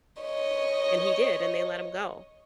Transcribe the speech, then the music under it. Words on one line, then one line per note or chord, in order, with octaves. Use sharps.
and he did, and they let him go.
C#5 D#5